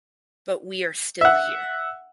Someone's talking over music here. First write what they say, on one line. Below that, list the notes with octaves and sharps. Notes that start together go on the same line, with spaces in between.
But we are still here.
E5 F#5